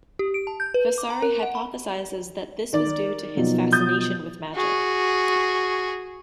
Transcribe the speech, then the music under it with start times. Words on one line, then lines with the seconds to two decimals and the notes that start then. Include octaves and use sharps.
Vasari hypothesizes that this was due to his fascination with magic.
0.19 G4
0.34 D7
0.47 A5
0.60 G6
0.74 B4
0.98 D6
1.10 A#5
1.22 A#4
1.43 F#5
1.55 B5
2.73 D#3 D5
3.37 B2 F3 F#3
3.72 D#6 G6 A6
4.55 F#4 G#4